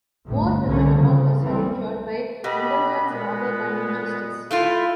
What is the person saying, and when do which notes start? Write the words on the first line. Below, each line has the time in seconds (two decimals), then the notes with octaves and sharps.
More women among us are injured by indulgence rather than injustice.
0.27 G1 D2 A2
0.66 C2 D3 C#4
0.97 C#3 F3
1.39 F#2 E3 G3 C4
2.44 B2 G4 D#5 B5
3.11 A#2 G#3 B3
4.51 A3 E4 F4